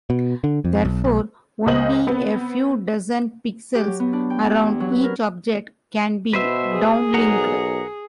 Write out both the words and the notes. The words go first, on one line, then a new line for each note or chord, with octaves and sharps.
Therefore, only a few dozen pixels around each object can be downlinked.
B2
D3
F2
B1
B1
C#2 C#3 C5 D#5 F#7
B3 C4
G4
F#3
B3
D4
G5
G4
E2
F#3
B4
A#4
B2 B4 C5 E5
G#4
B1 A#4 F#5 A#5